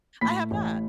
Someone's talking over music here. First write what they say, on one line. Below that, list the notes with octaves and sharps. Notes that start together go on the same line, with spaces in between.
I have not.
A2 B5 B6
A1